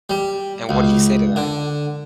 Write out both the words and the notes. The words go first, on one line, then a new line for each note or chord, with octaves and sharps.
And what did he say to that?
G3
C#2
D3